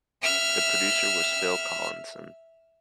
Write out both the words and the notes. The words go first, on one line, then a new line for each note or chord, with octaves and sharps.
The producer was Phil Collinson.
E5 F6